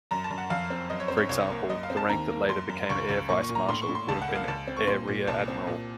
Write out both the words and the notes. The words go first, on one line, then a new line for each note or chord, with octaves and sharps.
For example, the rank that later became air vice-marshal would have been air rear-admiral.
F#2 A#5
A5
F#2
F#5
F2 F5
C4
F#2 D#5
C#5
C4 C5
C#5
C2 C#5
A#3
F#2 D#5
F5
C4
A5
D#2 A#5
A#3
F#2 C6
F#2
C#2 C#6
C#2
A#2 C#6
C#6
A#2
A#5
A2 C6
C#6
A2
C6
C#2 A5
F#5
A#3
F5
C#2 A5
C4
C#6
A#2 C6
A#2
C2 A5
C4
A#2